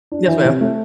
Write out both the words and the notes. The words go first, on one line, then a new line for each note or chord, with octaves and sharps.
Yes, ma'am.
D4
E3
C3
A3